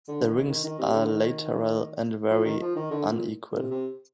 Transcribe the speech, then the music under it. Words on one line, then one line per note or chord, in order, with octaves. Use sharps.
The wings are lateral and very unequal.
D3
D#3
D#3
D#3
C3
D3
D#3
F3
D#3
F3
D#3
D3
A#2
C3
C3